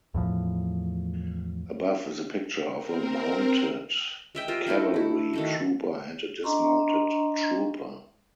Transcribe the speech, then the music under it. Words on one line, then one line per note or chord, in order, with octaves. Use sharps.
Above is a picture of a mounted cavalry trooper and a dismounted trooper.
E2 A2 F3
C4 A#4
G#3 E5 G5
F4 G4 A#4 C5
A3 D#4 E4 F#4
E4 F#4
D#3 A3 F#4
D4 D#5 A#5 C6 C#6